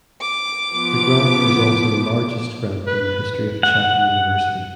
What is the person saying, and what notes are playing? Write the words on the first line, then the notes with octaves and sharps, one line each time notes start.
The grant was also the largest grant in the history of Chatham University.
D6
F3 B3
B4
F#5